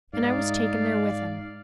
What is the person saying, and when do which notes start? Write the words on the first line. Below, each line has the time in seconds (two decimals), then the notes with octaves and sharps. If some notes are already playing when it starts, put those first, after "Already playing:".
And I was taken there with him.
0.13 G#2 D#4 D5 F5